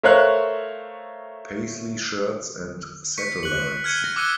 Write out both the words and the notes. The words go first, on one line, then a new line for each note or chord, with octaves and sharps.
Paisley shirts and satellites.
A3 A#4 C5 C#5 F5 F#6
C#6 B6 C#7
F#6 F#7
F6 G#6 C#7 D#7
A#6
D6 E6 F#6 C#7 D#7 G7